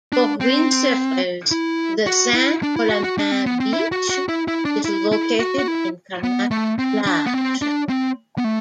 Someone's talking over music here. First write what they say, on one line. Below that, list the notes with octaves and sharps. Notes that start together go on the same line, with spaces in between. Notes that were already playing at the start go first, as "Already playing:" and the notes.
For windsurfers, the Saint-Colomban beach is located in Carnac-Plage.
D4
C4
E4
F#4
E4
D4
E4
F#4
F#4
D4
C4
B3
C4
E4
F#4
F#4
E4
E4
D4
E4
E4
F#4
F#4
E4
B3
A3
C4
D4
B3
C4
D4
C4
B3
A3